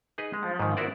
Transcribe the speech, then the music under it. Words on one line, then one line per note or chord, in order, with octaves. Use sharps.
I don't know
D#4 G#4 B4 D#5
G#3
G#2 D#3
B3 E4 F#4 A#4 C5 D5